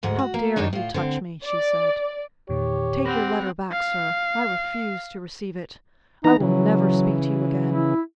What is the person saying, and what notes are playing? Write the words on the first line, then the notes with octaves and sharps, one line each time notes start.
How dare you touch me!" she said. "Take your letter back, sir; I refuse to receive it; I will never speak to you again.
D2 G#2 G#3 F#5
F#4
A#3
F#2 D#3 D4 D#4 C#5
A2 F4
D3 C4
D5
E2 A#2 D#3 G4 C#5
C4 F#5 B5 A#6
F5
E3 B3 D#4 A#5
C#3 E3 F#3
E4